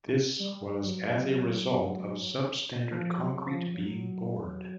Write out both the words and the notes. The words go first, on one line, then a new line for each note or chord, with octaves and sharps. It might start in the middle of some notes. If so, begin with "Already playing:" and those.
This was as a result of sub-standard concrete being poured.
G3
F#3
F3
F#3
F3
F#3